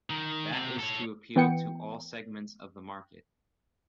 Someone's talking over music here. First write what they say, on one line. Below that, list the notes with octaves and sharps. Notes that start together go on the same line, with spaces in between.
That is to appeal to all segments of the market.
D#3
C3
A4 C#5
E3 B3 G5 C#7